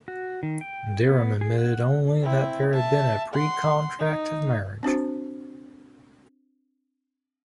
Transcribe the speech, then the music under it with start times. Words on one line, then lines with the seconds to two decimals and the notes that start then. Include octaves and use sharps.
Dereham admitted only that there had been a pre-contract of marriage.
0.08 F#4
0.43 D#3
0.61 G5
1.04 B3
1.41 G#4
1.58 F#5
2.22 C4 E4
2.71 E5 A5
3.34 F#5 C6
3.99 D#4
4.83 C4 D4 F#4 C5